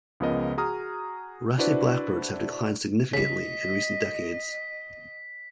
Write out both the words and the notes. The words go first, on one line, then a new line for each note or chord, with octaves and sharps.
Rusty blackbirds have declined significantly in recent decades.
C#2 C#3 F3 B3 A#4 D#5
F#4 G#4 A#5 D#6 F6
D4 E4 F#4 B4 C5 D5
C#3 G3 D#5 B6